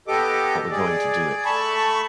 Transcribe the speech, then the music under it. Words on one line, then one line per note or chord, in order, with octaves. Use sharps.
But we're going to do it.
B3 G4 A4 D#5 D6
G#4 D5
A3 A5 B5 C#6